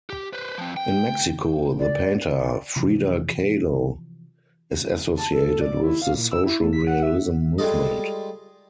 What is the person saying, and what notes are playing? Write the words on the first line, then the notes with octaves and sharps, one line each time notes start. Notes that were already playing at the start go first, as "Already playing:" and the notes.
In Mexico the painter Frida Kahlo is associated with the social realism movement.
G4
B4 C5
F3 C4
G5
D5
C3 E3 F3
A5
A4
D5
E4
F5
A#2
E6
E4
A3
B6
F#5
E5
G3 G#3 F4 A4 D#5